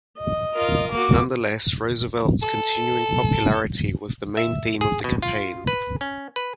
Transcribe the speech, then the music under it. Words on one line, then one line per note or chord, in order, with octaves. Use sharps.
Nonetheless, Roosevelt's continuing popularity was the main theme of the campaign.
D#5
F4 A#4
A#3 F#4 D6
A4
E5
G#4
B2
F4
B4
C#4
B4